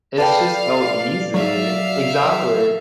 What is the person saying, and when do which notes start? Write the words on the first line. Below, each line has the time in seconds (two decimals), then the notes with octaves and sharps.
It's just so easy, exactly,
0.18 A4 B4 D5 F5 G5
1.34 F#3 E5 F5